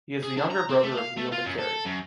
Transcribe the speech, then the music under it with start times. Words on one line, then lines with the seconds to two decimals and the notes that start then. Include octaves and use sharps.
He is the younger brother of Leo McCarey.
0.24 G#4
0.37 D4
0.51 A#5
0.69 C4
0.83 A3
0.97 F5
1.18 A3
1.32 F4
1.46 F#2
1.59 A4
1.86 F#2